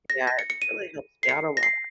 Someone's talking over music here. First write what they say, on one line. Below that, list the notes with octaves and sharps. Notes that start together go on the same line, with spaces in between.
Yeah. It really helps me out a lot.
A#6
A#6
C#7
C#7
D#7
C7
C#7
A#6
C7